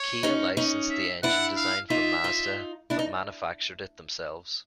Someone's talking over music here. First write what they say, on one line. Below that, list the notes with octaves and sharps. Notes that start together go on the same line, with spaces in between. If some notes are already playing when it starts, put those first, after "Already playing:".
Kia licensed the engine design from Mazda, but manufactured it themselves.
Already playing: C#5
C#4 D#4
C#4 D#4
E5
D4 E4 F#5
F5
D#4 F4 E5
D#4 F4
D4 E4
D#4